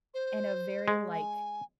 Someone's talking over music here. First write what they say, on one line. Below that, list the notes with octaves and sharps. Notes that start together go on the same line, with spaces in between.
in a very, like,
C5
G#3
G#5